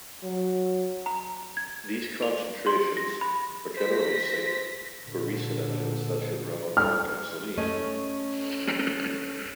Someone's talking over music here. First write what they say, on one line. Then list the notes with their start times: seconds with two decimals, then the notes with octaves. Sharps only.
These concentrations are generally safe for recent engines that should run on pure gasoline.
0.23 F#3
1.06 A#5
1.57 G#6
2.22 F7
2.66 C6
2.97 A#6
3.21 B5
3.77 C5 A#6 B6
5.02 A#2 D3
6.77 F6
7.57 A3 C#4 D#5